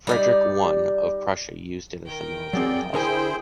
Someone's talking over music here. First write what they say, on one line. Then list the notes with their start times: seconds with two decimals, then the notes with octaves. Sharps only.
Frederic I of Prussia used it as a military hospital.
0.07 G3 D#4 D5
2.06 D#3 A#4 G5
2.53 F#3 C4 G#4 D5
2.94 D3 E4 G#4 A#4 C5 G5 G#5